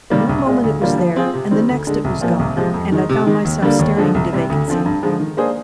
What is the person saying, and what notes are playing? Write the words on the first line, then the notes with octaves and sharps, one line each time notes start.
One moment it was there and the next it was gone, and I found myself staring into vacancy.
C3 D#3 G3 A#3
C2
A#2 G#3
D2
D3 G3 A#3 F4
F3
C4 F4 G#4
C3
D#3 G3 C4
D2
D3 G#3
C2
A#2 F3 A#3
C2
C3 F3 G#3
F2
D#3 G#3 D#4
C3
D#3 G#3
D#2
D3 G3 A#3 D4
D#2
D3 F3 G#3
C2
C3 G3
D2
D3 F3 C4
G2
D3 F3 G#3 D#4
D#3
A#3 D4 G#4 C5